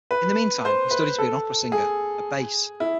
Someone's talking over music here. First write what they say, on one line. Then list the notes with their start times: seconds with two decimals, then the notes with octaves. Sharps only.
In the meantime he studied to be an opera singer, a bass.
0.11 B4
0.65 C5
0.91 B4
1.18 A4
1.72 G#4
2.80 E4